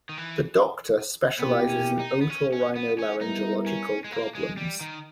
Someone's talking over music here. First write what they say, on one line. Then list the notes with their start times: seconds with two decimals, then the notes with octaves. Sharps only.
The doctor specializes in Otorhinolaryngological problems.
0.09 D#3
0.17 E3
1.39 B2 A#3 B3 E4 G4
1.69 C#4
1.99 D#4
2.21 B3
2.30 C#4
2.53 C#4
2.76 B3
2.99 C#4
3.21 G3 B3 D#4 E4 A#4
3.66 C#4
4.04 G#3
4.12 A#3
4.35 G#3
4.57 G3
4.81 D#3